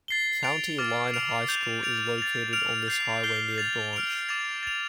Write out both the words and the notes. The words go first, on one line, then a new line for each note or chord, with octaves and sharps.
County Line High School is located on this highway near Branch.
A6 C7 G7
A6 D7 F7
D6 F6 A6
F6 D7 F7
G6 F7
A6 D7 F7
A6 F7
F6 D7 F7
G6 C7 F7
G6 C7 G7
A6 F7
F6 D7 F7
D6 A6 F7
A6 F7